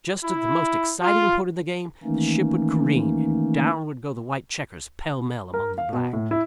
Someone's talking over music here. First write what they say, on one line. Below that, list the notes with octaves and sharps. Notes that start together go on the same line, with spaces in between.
Just at the most exciting point of the game, the ship would careen, and down would go the white checkers pell-mell among the black.
E4
F4
D#3 E3 A3 A#3 C#4 D#4
A#4
F5
B2
A2
E4